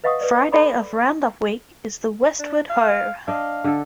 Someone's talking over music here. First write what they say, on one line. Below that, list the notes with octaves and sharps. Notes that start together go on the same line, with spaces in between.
Friday of Round-Up week is the Westward Ho!
B4 D#5 F5 F#5 C#6 D#6
B4 D5
A4 C#5 D5 B5 C6 D6
D4
F5
D4 D#5 F5
D3 A4